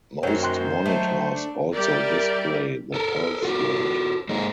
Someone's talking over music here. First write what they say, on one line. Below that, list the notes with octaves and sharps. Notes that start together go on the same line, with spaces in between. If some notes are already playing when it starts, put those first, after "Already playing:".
Most monitors also display the pulse rate.
F#2 D#3 F#3 A#3 D#4 C5 C#5
G5 C6 F#6
F#3 A3
D4
G3 G4 A#4 D5 E5
A4 A#4
F4 F#4 A#4
G#3 A#3 D#4